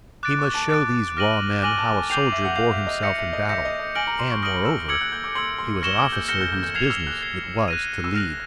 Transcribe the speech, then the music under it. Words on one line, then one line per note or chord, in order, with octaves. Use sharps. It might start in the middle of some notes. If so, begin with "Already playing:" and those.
He must show these raw men how a soldier bore himself in battle, and, moreover, he was an officer whose business it was to lead.
D6 F#6 A6 D7
C#6
A5
D6 F#6 A6 D7
D6 F6 A#6 D#7 F#7
G#5 D6 F6 A#6 D#7 F#7
A5
G#5
G5 D6 G6 C7 F7
E5
F#5
F5 D6 G6 C7 F7
E5
D#5
E5 G6 A#6 C#7
E5
D#5
E5 G6 A#6 C#7
D#5
D#5
G#5 F6 A#6 D7 F#7
A#5
C6
C#6
D#6 F6 A#6 D7 F#7
E6
D6 E6 G#6 C#7 F#7
F#6
G6
D6
C6 E6 G#6 C#7 F#7
C6
C#6 F6 A#6 C#7 E7 G7
D6
G6
F6 G6 A#6 C#7 E7 G7
G6
G6
G6
F6 G#6 C7 F7
E6
F#6
G#6 C7 F7
F#6 A#6 D#7
E6
F6 F#6 A#6 D#7